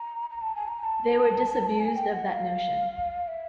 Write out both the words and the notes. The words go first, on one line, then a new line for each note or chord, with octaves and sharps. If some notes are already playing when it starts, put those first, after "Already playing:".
They were disabused of that notion.
Already playing: A#5
A#5
A5
G#5
A#5
A#5
A5
G#5
G5
F#5
F5
E5